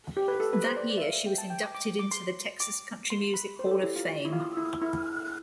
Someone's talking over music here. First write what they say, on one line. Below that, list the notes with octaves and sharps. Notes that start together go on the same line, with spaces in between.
That year she was inducted into the Texas Country Music Hall of Fame.
G4
B4
A4
B4
C5
D5
D5
E5
F5
E5
G5
A5
G5
D6
D6
D6
C6
D6
C6
B5
C5
A4
G4
E4
F4
E4
F4
E4
E4